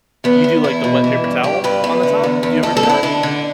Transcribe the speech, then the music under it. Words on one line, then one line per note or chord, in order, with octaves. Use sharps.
you do, like, the wet paper towel on the top, do you ever do that?
E2 B3
E2
E2 E4
B2
E3
G2
G2 G4
G2 B4
E2
D3
E2
E2
D2 A4
A4
D3
E4
D3 D4
D3